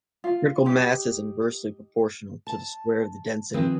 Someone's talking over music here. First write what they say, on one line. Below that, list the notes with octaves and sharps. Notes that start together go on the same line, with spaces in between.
The critical mass is inversely proportional to the square of the density.
F4
D#4 G4
A5
D#3 F3 C4 G#4 B4